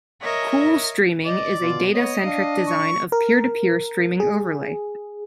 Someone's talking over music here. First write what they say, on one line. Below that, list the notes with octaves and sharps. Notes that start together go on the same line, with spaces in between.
Coolstreaming is a data-centric design of peer-to-peer streaming overlay.
A#4 C#5 D#5 E5
D5 D#5
B2 F4
B3 C#5 D#5
D4 F5
C#6
A#4
G#4